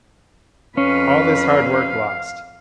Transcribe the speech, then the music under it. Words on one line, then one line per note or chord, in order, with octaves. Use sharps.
All this hard work lost!
F2 C#4 B4 F5